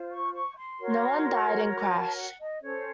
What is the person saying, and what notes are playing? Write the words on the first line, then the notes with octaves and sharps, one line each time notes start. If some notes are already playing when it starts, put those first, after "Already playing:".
No one died in crash.
Already playing: F4 C5
C#6
C#6
C6
F#4 A#4 C#5
A#5
A5
F#5
D#5
C#4 A4 C5 C#5